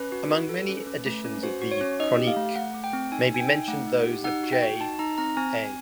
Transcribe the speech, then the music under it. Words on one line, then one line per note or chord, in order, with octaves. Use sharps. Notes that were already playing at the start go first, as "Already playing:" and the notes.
Among many editions of the "Chronique" may be mentioned those of J.-A.
Already playing: C#4 B4
F#4
F#4
A4
C#4
C#4
A3
C#4
F#4 C5
F#4
C#5
C#4
D#4 D#5
G4
F5
A3
A3 F#5
A3
G5
C4
D#4 G#5
D#4 G#5
G5
D#4
A3 F#5
D#4
G4
D#4 F#5
F#4
G5
F#4
D#4 A5
D#4 A#5
C4 A#5
C4 G#5
C4
G#5